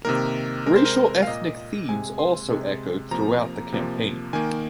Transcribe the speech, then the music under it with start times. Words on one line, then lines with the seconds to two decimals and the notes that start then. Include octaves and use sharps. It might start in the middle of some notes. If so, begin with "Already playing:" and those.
Racial-ethnic themes also echoed throughout the campaign.
0.05 C3 D#3 A#3 A#4
0.66 C3 G#3 A#4
0.76 C5
0.85 A#4
1.23 F5
1.27 A#2 A#3 D#5
1.89 C3 G#3 G#5
2.19 C6
2.50 C3 G#3
3.11 C3 F3 A#3 A#5
3.72 C3 F3 A#3
4.33 D#3 A#3 G#5